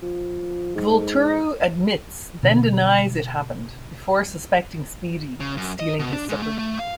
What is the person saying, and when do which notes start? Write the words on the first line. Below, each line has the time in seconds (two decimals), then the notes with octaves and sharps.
Vulturo admits, then denies it happened, before suspecting Speedy of stealing his supper.
0.02 F3
0.75 G#2
2.43 B2 D3
5.40 C#3
5.57 F#2
5.80 D#5
5.99 B2
6.13 D4
6.29 G#2
6.42 A3
6.58 A3
6.79 F5